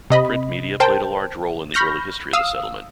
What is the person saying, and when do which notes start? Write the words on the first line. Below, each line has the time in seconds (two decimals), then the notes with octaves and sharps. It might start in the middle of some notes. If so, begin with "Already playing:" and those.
Print media played a large role in the early history of the settlement.
0.10 C3 D#5 B5
0.80 A#4 C5 G5 A5
1.74 B5 C#6 F6 G6 A#6
2.33 F5 D#6 E6